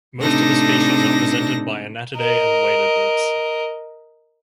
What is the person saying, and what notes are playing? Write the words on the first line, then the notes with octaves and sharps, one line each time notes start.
Most of the species are presented by Anatidae and wader groups.
A2 C3 D4 D#4 A4 A#6
A#4 D#5